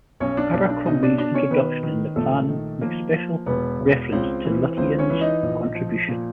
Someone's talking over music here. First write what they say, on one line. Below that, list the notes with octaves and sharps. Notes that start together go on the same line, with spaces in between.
Abercrombie's introduction in the plan makes special reference to Lutyens' contribution.
B1 C#4 C#5
D4 D5
B1 D4 D5
D4 D5
B2 D#4 D#5
D4 D5
B2 D4 D5
C#4 C#5
D#3 B3 B4
D#3
A#1 A3 A4
D#3
F3 A#3 A#4
F3
E1 B3 B4
E1
C#2 C4 C5
E3
C#2 C4 C5
C#4 C#5
E3
D#4 D#5
A#1
F3
A#2